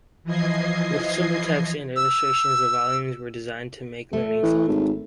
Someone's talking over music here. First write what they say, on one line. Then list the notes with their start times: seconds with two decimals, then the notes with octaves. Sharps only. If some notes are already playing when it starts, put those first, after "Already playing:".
With simple texts and illustrations, the volumes were designed to make learning fun.
0.24 E3 F3 D#5 G#6 C7
1.96 E6
4.13 A3
4.43 E3
4.68 G#1